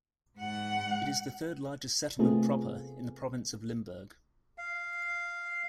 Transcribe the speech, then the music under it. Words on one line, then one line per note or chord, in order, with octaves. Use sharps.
It is the third largest settlement proper in the province of Limburg.
G#2 F#5
C3 A3 B3 C4 F4 G#4
F5